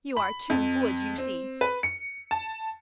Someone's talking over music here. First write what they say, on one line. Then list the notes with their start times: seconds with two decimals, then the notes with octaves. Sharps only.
You are too good, you see!
0.17 B5
0.50 F2
1.18 C4
1.61 B4
1.83 C#7
2.31 A5